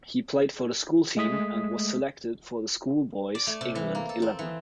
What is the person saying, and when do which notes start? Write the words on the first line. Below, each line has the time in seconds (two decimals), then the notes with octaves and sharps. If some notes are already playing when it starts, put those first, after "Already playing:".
He played for the school team and was selected for the schoolboys' England eleven.
1.17 G#3 A3 D#6 B6
3.35 D5
3.47 A3
3.61 C3
3.75 E3
3.95 A#3
4.09 A4
4.22 C4
4.39 E3